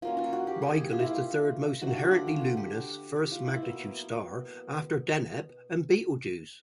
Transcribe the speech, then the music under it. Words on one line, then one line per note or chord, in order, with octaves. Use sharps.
Rigel is the third most inherently luminous first magnitude star after Deneb and Betelgeuse.
F#3 A#3 C#4 F4
F4
F#4
G4
G#4
G4
F4
E4
F4
D3 F3 A3 D4 F#4
G4
F4
F#4
F4
F#4
G4
G4
F4
E4
B2 F#3 A#3